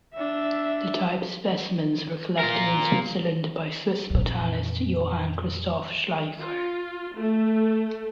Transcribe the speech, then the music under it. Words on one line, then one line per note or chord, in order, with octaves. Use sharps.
The type specimens were collected in Switzerland by Swiss botanist Johann Christoph Schleicher.
D4 E5
F4 A#4
F2 A#2
F4
A3